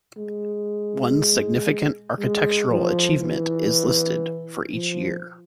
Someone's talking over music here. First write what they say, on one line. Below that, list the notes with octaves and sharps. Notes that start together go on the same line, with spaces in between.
One significant architectural achievement is listed for each year.
G#3
G#3
F3
E3
F3